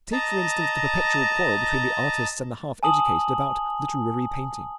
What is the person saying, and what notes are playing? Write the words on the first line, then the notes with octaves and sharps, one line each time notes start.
Take, for instance, the perpetual quarrel between the artists and the half-educated about literary painting.
D#5 A5 A#5
G#5 A5 D#6 F#7